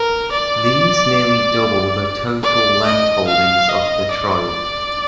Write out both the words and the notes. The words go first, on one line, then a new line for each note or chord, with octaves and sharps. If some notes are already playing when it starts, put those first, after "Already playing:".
These nearly double the total landholdings of the tribe.
Already playing: A#4
D5
D5
D#5
F5
D#5
D5